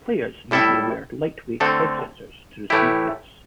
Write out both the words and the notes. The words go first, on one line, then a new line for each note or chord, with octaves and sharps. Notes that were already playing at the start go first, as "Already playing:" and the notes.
Players usually wear lightweight head sensors to receive hits.
A2 G3 E4 A4 E5
D3 A3 C4 A4
A2 E3 A3 E4 G4